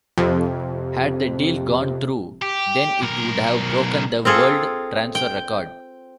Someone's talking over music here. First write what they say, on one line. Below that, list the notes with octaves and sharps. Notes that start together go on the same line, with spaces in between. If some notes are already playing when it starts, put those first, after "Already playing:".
Had the deal gone through, then it would have broken the world transfer record.
F2 C3
G4
B1 A#4
C4 F4 G#4 A4
G5